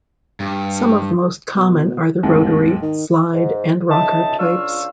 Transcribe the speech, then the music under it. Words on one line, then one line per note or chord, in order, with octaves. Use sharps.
Some of the most common are the rotary, slide, and rocker types.
G2
B2
F1 D#2 G#2 A#3
D#3
G#2
C#2 D#4 E5 A5
C#2 D4 F4 F5 C#6 E6